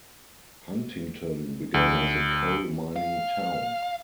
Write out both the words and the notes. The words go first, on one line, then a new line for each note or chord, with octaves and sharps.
Huntington began as a coal mining town.
D2
F5